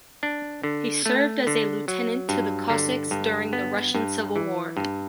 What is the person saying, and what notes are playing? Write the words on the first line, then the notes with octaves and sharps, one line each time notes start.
He served as a lieutenant to the Cossacks during the Russian Civil War.
D4
D3
A3
D3
F#3
G2
D3
G2
B3
G2
E3
G2